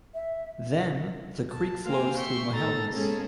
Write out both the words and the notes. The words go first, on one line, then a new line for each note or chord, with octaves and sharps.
Then the creek flows through Mohelnice.
E5
A5
A#3 C5 F5 G5 G#5
E5 G5 C6 C#6
A2 D#4 A4 A#5 A6
G#3 A#3 B3 C#4 G#4 A4